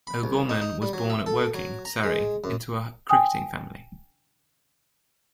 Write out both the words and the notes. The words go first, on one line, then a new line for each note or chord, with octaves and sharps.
O'Gorman was born at Woking, Surrey, into a cricketing family.
B5
C2
D#4
D#4
G3
F#3
E5
A4
F#3
A#5
G#3
F#2
G5 G#5 D#6